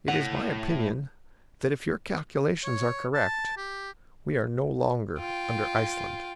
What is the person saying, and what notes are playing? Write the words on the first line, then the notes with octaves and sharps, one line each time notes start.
"It is my opinion that if your calculations are correct we are no longer under Iceland."
A2 F#5
C#5
A5
G4
F4 G5